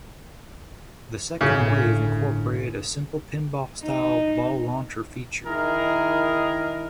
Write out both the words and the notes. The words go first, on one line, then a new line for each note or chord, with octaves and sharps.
The second wave incorporated a simple pinball-style ball launcher feature.
G1 A2 C#3 G#5
D#4
D#3 D#4 E4 G#4 A#4